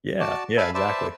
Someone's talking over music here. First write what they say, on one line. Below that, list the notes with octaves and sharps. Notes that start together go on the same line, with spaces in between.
Yeah, yeah, exactly.
F#4 D5 A5
E5 F5 G#5 A5 B5 E6
B4 C5 D5 E5 A5